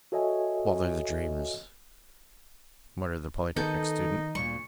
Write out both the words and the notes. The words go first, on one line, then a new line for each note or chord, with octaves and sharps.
"Bother the dreams!" muttered the Polytechnic student.
F#4 A4 C#5 D#5 E5 G#5
D#3 B3 D#4 A4 G6
D2 A#2 G3 C#6